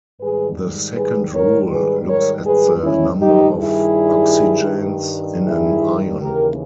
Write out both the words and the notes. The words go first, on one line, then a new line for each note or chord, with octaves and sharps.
The second rule looks at the number of oxygens in an ion.
G#2 D#3 G3 G#4 B4
G#4 B4
A#4 C#5
G#4 B4
A#4 C#5
G#4 B4
C#4 E4
G2 D#3 G3 D#4 G4
E4 G#4
E4 G#4
D#2 C#3 E3 G4 A#4